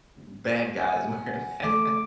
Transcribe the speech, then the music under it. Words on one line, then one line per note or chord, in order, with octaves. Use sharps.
bad guys wearing masks.
F#5 G#5
A3 D6